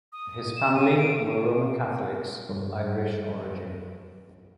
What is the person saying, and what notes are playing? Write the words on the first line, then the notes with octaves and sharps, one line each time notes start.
His family were Roman Catholics of Irish origin.
D#6
E7
D#7
D7
G2
F#2